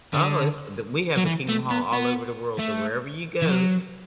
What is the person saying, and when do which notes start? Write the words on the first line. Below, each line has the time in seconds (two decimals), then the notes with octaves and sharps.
Oh, it's the we have a Kingdom Hall all over the world, so wherever you go,
0.14 D3
1.17 F#3
1.26 E3
1.48 A3
1.71 B3
1.93 B3
2.59 A3
3.43 E3
3.49 F#3